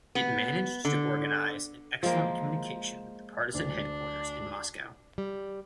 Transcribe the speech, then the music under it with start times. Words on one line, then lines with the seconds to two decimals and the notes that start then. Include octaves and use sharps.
It managed to organize an excellent communication with the partisan headquarters in Moscow.
0.15 B3
0.85 D3
2.03 F3 G#3 A#3 G5
3.54 D2 D4
5.18 G3